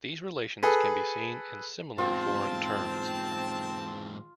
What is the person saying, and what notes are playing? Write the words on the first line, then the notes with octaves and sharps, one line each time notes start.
These relations can be seen in similar foreign terms.
G#4 A4 B4
E2 G#2 C4 F4 A5